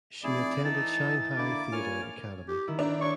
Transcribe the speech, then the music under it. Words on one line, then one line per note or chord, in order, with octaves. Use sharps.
She attended Shanghai Theatre Academy.
F1 E4 G#4 D5
E3 D#4 A4 E6 A6
D3 A#3 E4 D5 D6
A#2 C#5 G#5 F6
G4
D#3 E4
D4 D#4
C#5 C#6 D6